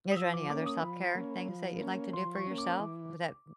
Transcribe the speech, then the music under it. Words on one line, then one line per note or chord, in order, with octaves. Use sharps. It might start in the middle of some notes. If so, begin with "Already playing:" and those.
Is there any other self-care things that you'd like to do for yourself? Wh that
D#6
F3 E6
D6
A#3 C#4 D6
D#6
F3 B5
A#3 C#4
F3
A#3 C#4
F3 C6
C#6
A#3 C#4
D6
E3